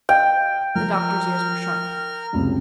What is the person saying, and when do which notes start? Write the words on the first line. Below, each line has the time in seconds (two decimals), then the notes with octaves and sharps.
The Doctor's ears were sharp.
0.09 D#5 F5 G5
0.75 F3 A#4 F6
2.33 F#1 C#2 C3